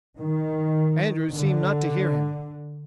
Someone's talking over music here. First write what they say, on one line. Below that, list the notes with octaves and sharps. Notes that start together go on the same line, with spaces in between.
Andrews seemed not to hear him.
D#3
D3